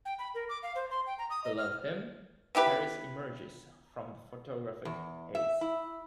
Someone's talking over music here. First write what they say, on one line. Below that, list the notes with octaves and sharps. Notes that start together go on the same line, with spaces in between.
Below him, Paris emerges from the photographic haze.
G5
B5
A#4
D6
F5
C5
C6
G5
A#5
D#6
D#5
F6
B3 E4 G4 B4
E2
E5
E4